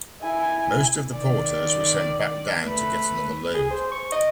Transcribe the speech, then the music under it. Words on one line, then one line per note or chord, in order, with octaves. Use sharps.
Most of the porters were sent back down to get another load.
E4 G#5
D#3 D5
A3 B4
G#4
C5
C#6
D#5